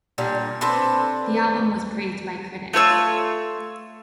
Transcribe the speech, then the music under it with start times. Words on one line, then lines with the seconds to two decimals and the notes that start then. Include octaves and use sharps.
The album was praised by critics.
0.18 A#2 D3 G3
0.61 C4 D4 A4 B4
2.73 A3 F4 C#5 E6